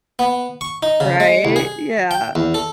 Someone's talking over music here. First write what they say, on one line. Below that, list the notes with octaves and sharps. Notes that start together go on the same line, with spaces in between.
Right, yeah.
B3
C#6
D#4
C#3
G#3
C2
G#4
G5
E2
A4